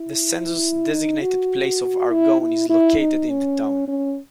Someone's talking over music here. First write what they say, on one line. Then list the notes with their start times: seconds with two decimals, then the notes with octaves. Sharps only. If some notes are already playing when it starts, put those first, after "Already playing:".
The census-designated place of Argonne is located in the town.
Already playing: E4
0.92 D#4
1.22 F#4
2.10 E4
2.41 E4
2.69 E4
3.00 D#4
3.29 C#4
3.88 C#4